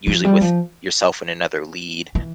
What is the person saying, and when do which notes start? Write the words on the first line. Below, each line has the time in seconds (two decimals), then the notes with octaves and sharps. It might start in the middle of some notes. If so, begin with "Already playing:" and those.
usually with yourself and another lead.
0.07 F3
0.25 G3
0.41 F3
2.15 E3